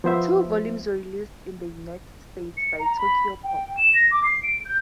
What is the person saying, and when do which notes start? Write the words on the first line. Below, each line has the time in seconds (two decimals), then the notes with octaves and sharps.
Two volumes were released in the United States by Tokyopop.
0.04 F3 B3 C5 E5
2.57 C#7
2.79 A#5
2.97 B5
3.43 G5
3.77 E7
3.94 A#6
4.11 D6
4.23 C7
4.42 D7
4.65 G6